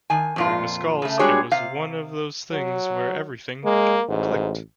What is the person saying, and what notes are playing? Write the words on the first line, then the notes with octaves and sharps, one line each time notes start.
According to Scholz It was one of those things where everything clicked.
D#3 G#5
F2 A#2 F4
C#3 A3
G3 G#3 D4 F#4 G#4 C#5
C3 F5
F#3
G#3 A#3
A1 G#2